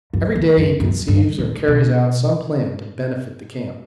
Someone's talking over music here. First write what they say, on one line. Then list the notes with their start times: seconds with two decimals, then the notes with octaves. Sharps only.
Every day he conceives or carries out some plan to benefit the camp.
0.13 F#2
0.35 E2
0.57 F#2
0.80 F#2
1.08 G2
1.39 A2
1.68 B2